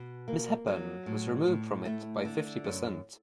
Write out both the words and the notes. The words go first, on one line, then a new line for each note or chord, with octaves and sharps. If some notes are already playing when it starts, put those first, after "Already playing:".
Miss Hepburn was removed from it by fifty percent.
Already playing: B2
A#3
F#3
A2
A2
A3
D3
F#2